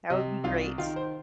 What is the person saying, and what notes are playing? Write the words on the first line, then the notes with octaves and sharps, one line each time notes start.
That would be great.
C3 D#5
C2 F4 F5
D#3 F4 F5
C5